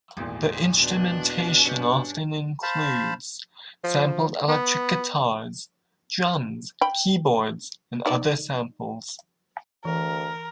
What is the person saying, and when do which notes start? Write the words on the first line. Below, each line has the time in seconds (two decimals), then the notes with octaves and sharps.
Their instrumentation often includes sampled electric guitars, drums, keyboards, and other samples.
0.17 G#1 E2 A#2 G3 G#3
0.77 B2 D4 F#6
1.65 G2 B2 C#4 G4 G6 C#7
2.63 C5 F5 A5 B5
3.84 F3
4.49 B3
6.81 G5 B5
8.06 D#4 D5
9.85 D2 E3 A#4